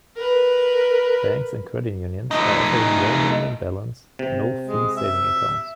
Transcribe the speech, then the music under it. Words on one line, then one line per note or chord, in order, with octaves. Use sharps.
Banks and credit unions are offering low minimum balance, no-fee savings accounts.
A#4 B4
A3 D#4
C3
G#3
E5